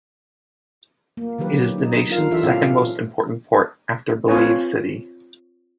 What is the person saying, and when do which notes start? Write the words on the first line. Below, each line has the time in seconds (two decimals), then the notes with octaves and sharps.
It is the nation's second most important port, after Belize City.
1.17 A#3
1.38 D3 D#3 F#3 G4 B4
1.78 D#4
2.10 D4 F4 A#4 F5
2.31 E3 D4 F4 G4 A4 E5
2.43 A#2 C4 C#4 F5
4.28 C4 F4 B4 C#5 G#5